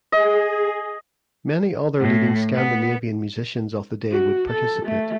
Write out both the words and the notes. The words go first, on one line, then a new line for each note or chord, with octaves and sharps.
Many other leading Scandinavian musicians of the day would participate.
G#4 D#5
A2
B3
F#4
A4
A3